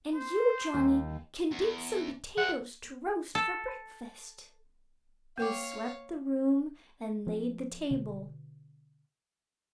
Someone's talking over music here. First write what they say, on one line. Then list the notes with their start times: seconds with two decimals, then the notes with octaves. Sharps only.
"And you, Johnny, can dig some potatoes to roast for breakfast." They swept the room and laid the table.
0.14 C5
0.74 D#2
1.52 E2
2.38 F3 C4 F#5
3.35 A4
5.38 A#3 C#5 F5 G5 D6
7.27 F3 C4
7.91 B2 D3